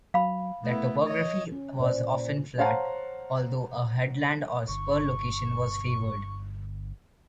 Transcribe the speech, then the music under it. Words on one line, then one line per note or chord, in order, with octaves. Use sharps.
The topography was often flat, although a headland or spur location was favoured.
F#3 F5 B5
A3 B3 E4
C#5 D#5
C#4
A#2 B4 C5 D5
C5 C#5 F5 F#5 A5 A#5
G1 C#6